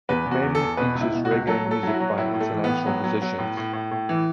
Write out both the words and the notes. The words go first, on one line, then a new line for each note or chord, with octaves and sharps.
It mainly features reggae music by international musicians.
E2 B4
E2
F#4
E2
A4
E2
B2 B4
C#2
E4
B2
F#4
C#2
F#3 A4
F#3
A4
F#3 E4
F#4
F#3
A2 E4
A2
A3
E3
B3
A2
F#3
F#3
F#3
A2
A2
A2
A2
E3